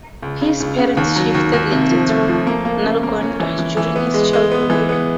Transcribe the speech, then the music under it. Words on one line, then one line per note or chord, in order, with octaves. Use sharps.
His parents shifted later to Nalgonda during his childhood.
C#2
C#3
C#2
C#3
D#2
F#3
D#2
D#2
C3
F3
A3
F3
A#3
A#3
C#3
A#3
C#4
E3
E3
E3
B3
G#3
G#3
B3
E3
B3